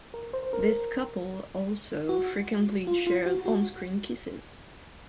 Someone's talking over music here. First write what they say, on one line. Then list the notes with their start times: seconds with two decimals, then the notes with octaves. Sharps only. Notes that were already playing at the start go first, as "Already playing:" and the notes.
This couple also frequently shared on screen kisses.
0.14 A#4
0.33 C5
0.53 A#4
2.09 F#4
2.87 F4
3.07 F4
3.26 F#4
3.46 F#4